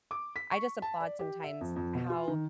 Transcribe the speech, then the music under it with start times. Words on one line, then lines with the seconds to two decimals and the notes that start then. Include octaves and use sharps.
I just applaud sometimes how
0.11 D6
0.36 B6
0.51 C#6
0.82 A5
1.00 D5
1.19 G4
1.44 E5
1.61 F2
1.76 F2
1.95 B2
2.10 F4
2.28 D#3